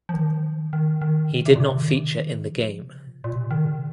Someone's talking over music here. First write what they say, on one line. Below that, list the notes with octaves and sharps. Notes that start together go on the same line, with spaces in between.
He did not feature in the game.
F3
D#3
D#3
D#3
C3
C3
A#2
C3
D#3
F3
C#3
C3
A#2
A#2
C3
D#3
C#3